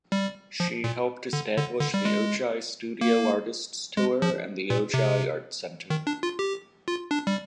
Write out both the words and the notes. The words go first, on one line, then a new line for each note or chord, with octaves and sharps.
She helped establish the Ojai Studio Artists Tour and the Ojai Art Center.
G3
F3
A#2
D3
D3
D3
G3
G#3
A#3
G#3
F3
A#2
C3
D#3
D4
F4
G4
F4
D4
G3